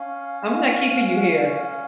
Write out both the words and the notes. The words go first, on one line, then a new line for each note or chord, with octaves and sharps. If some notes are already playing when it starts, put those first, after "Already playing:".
I'm not keeping you here.
Already playing: C#4 F5
C#4